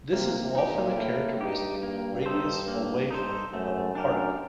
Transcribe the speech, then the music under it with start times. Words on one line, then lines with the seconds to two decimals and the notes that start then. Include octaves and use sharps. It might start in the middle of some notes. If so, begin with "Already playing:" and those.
This is often a characteristic radius or wavelength of a particle.
0.12 C3 A#3
0.41 C3
0.55 D#4 G4
0.70 A#2
0.97 A2 A#3
1.40 G2 D#4 G4
1.83 A#3
2.26 D#4 A4 C5
2.68 A#3
3.11 D#4 A4 C5
3.53 F#2 A3
3.95 F#2 D4 G4 A#4